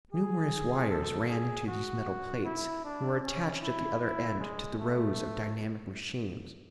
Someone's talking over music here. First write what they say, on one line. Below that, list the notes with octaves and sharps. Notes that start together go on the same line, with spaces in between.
Numerous wires ran into these metal plates, and were attached at the other end to the rows of dynamic machines.
G#4
A4
G#4
F#4
E4
D4
C#4
E4
E4
G#3
A3